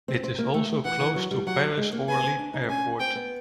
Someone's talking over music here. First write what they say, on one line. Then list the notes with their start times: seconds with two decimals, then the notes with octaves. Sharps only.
It is also close to Paris-Orly Airport.
0.08 C4
0.24 C4
0.38 A#3
0.54 A3
0.85 E3 F#5
1.01 E3
1.16 F#3
1.31 G3
1.47 F#3 F#5
1.77 G#3
1.93 A#3
2.08 B3 G#5
2.24 C4
2.39 D4
2.54 D#4
2.64 C4
2.69 C#4 G#5
3.00 C4 G5
3.15 B3